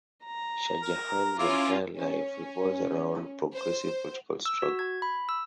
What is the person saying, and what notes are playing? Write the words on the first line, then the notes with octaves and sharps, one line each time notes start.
Shahjahan’s entire life revolves around progressive political struggle.
A#5
A#4
C#4 E4 F4 D6
C#4
C5
E6
F#4
G#6
B5
E6